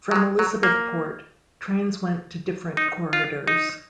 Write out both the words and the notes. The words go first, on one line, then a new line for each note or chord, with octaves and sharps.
From Elizabethport, trains went to different corridors.
F#3
G#3
F#3
A#3
D#4
F4
D#4